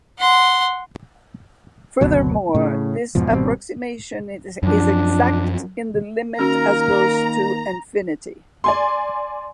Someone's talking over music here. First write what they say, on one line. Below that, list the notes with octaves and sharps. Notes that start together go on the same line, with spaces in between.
Furthermore, this approximation is exact in the limit as goes to infinity.
F#5 C6
F#1 D2 B2 F#3
A2 C#3
E2 G#2 B2 F3
G#1 B2 G3 C4
F#2 F3 D4
D#3 A#3 C#4 F#4 A#4 A#5
D5 G#5 C6